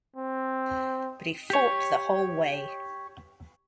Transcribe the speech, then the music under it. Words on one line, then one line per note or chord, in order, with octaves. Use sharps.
But he fought the whole way.
C4
G4 C#5